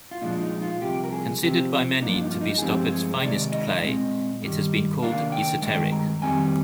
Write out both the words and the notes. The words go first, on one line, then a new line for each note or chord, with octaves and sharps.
Considered by many to be Stoppard's finest play, it has been called "esoteric".
F4
A#2 F3 G#3 D4 D#4
D#4
F4
C2 C3 F3 G4
A#4
G#4
C3 F3 C4 G4
G2 F3 A#3 D4 D#4
F4
D#4
F4
D#4
G#4
G2 F3 G#3 C4 G4
G#4
C3 D#3 G#3 D5
D#5
A#2 G#3 C4
G2 D#3 G3
C3 D#3 A#3 D4 F5
G5
G2 D#3 G#3 G5
A#5
F2 D#3 G3 C4 G#5